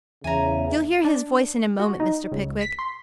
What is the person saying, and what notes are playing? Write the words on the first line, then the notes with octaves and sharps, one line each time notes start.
You'll hear his voice in a moment, Mr. Pickwick.
E2 C#3 E5 G#5 A#5
D4
F#4
D#4
C#2
B6
C6